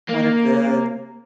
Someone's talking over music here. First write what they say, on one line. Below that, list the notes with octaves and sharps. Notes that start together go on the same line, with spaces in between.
one of the,
A#3